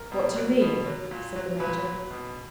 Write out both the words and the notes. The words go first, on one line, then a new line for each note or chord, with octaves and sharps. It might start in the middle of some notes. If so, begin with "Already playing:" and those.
"What do you mean?" said the major.
Already playing: A#4
B2
F#3
B2
F#3
A#2
F#3
A#2 B4
F#3
B2